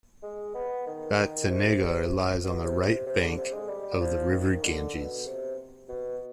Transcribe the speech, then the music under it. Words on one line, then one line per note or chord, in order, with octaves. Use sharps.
Batanagar lies on the right bank of the river Ganges.
G#3
B3
D#3
D#3
C3
B2
C3
C3
C3
D3
C3
G#3
G3
F3
D#3
D3
B2
C3
B2